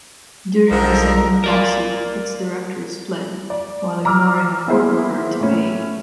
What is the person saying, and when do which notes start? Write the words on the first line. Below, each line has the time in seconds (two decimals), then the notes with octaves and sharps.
During the second lawsuit its directors fled, while ignoring a court order to pay.
0.71 B1 D3 D#3 F3 A#4
1.44 A#4 D5 F5
3.50 D5
4.05 A#5 D6 E6 F6
4.68 A#3 B3 E4 G#4 C5
5.40 A2 C#4